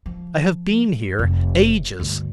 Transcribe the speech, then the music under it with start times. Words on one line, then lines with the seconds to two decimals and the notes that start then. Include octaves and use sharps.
'I have been here--ages!
0.06 F3
1.19 F1
2.00 D2 G2